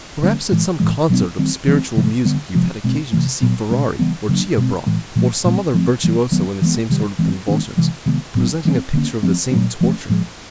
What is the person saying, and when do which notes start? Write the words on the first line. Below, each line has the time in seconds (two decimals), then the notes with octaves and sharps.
Perhaps at some concert of spiritual music you've had occasion to see Ferrari or Chiabran or some other virtuoso in the same sort of convulsions, presenting a picture of the same torture.
0.23 D3 G3 A#3 C#4
0.52 A2 E3 G#3
0.80 A2 E3 G#3
1.10 B2 F#3 B3 D4
1.39 D#3 G3 C4
1.67 E3 G#3 C4
1.97 C3 F3 A3
2.25 D3 G3 B3
2.55 C3 F3 G#3
2.84 B2 G#3 C4
3.13 C3 E3 A3
3.42 A#2 F#3 B3
3.71 B2 G#3 C#4
3.99 C#3 E3 G3 B3
4.29 C#3 F#3 A#3 D4
4.57 B2 G#3 C4
4.86 A2 E3 G#3
5.16 A#2 F3 A3
5.45 A#2 F#3 A3 C4
5.74 F3 A3 C4
6.04 E3 G3 A#3
6.32 D#3 F#3 B3
6.62 E3 G#3 B3
6.90 C3 D#3 G3
7.19 E3 G#3 C4
7.48 D#3 G#3 B3 D4
7.77 C3 E3 G#3
8.06 C3 D#3 G#3 B3
8.35 A2 F#3 B3 D4
8.65 E3 G3 C4
8.93 D3 G3 A#3 C#4
9.23 F3 G#3 C4
9.52 A#2 F#3 A3 C#4
9.81 F3 A3 C#4
10.09 A2 F3 G#3